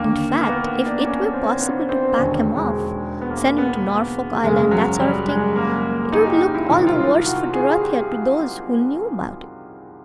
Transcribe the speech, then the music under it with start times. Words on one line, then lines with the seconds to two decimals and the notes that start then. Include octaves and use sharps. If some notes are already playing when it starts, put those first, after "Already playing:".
In fact, if it were possible to pack him off--send him to Norfolk Island--that sort of thing--it would look all the worse for Dorothea to those who knew about it.
Already playing: D#2 D3 A#3
0.41 A#3
0.49 B3
0.67 B3
0.86 D4
1.05 C#4
1.34 C4
1.50 C4
1.61 B3
1.89 C4
2.17 E1 D#2 D3 C#4
2.55 G#3
3.21 B3
3.30 A#3
3.58 B3
4.43 F#1 F#2 C#3 G#3
4.71 F#3
4.99 G3
5.28 G#3
5.56 A#3
6.12 D#4
6.27 G4
6.55 E4
6.68 C2 C3 D#3 E4
6.87 F4
7.25 F#4
7.53 G#4
7.82 G4